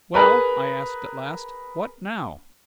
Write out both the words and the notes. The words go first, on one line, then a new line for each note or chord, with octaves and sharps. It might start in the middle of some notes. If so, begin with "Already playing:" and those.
"Well," I asked, at last, "what now?"
G#4 A#4 B4 B5